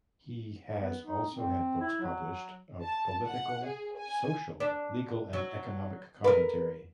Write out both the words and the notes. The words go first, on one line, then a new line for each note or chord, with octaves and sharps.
He has also had books published of political, social, legal and economic commentary.
B3
D#4
C4
E4
F#3
A5
F#5
G#4
G#5
D4
F#3
A#4 B4